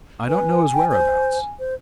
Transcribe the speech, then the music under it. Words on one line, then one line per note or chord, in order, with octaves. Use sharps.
I don't know his whereabouts.
B4 G#5
G5
C5
C5